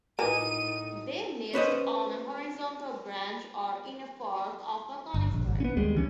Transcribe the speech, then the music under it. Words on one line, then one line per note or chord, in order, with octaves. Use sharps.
They nest on a horizontal branch or in a fork of a conifer.
A2 D#4 F4 A#4 B4 G#5 D#7
C#4 B4 C5 D#5
G1
A#1
G#1
B3 C#4
D#2 G3 G#3
D2 E3 C#4